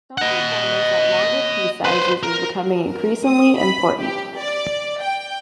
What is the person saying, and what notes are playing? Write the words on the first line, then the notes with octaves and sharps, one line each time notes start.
Some performance at longer key sizes is becoming increasingly important.
D#5 F#5
B4 C5
A#4
A#4
D#6
B5
G4
D5
G5